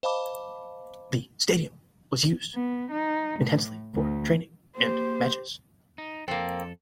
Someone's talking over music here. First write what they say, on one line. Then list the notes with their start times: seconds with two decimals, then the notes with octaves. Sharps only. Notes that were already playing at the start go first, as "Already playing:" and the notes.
The stadium was used intensely for training and matches.
0.03 C5 D#5 F5 A5 B5 D6
2.54 B3
2.90 D#4
3.38 A2
3.94 D2
4.77 A#3 G4 C5
5.98 D#4
6.28 F2 A#3 C4 A4